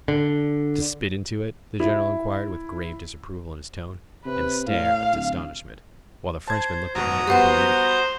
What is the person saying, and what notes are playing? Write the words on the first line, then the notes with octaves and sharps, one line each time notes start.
"To spit into it?" the General inquired with grave disapproval in his tone, and a stare, of astonishment, while the Frenchman looked at me unbelievingly.
D3
E4
C3 B4
A2 F5
D1
C5 A5 G#6
G#1 B2 F#4 A#5 D#6
G3 B3 G4 C5 F#5